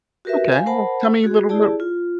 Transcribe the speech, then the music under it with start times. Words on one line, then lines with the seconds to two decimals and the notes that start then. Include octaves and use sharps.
Okay. Well, tell me a little bit
0.25 F#4 G4 A#4 B4 E5
0.52 F5 G#5
0.66 A#4 C5 F#5 A5 B5
1.24 F#4 G#4
1.49 E4 G4 G#4 D5 A5
1.80 F4